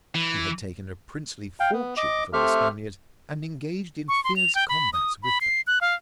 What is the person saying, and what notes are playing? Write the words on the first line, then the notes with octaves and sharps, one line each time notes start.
He had taken a princely fortune from the Spaniards and engaged in fierce combats with them.
E3
F5 G5
B3
D#5 D6
A3 C4 G4 A4 E5 F6
C#6
C6
F7
G5
B5
D#6
B5
C7
F#6
F5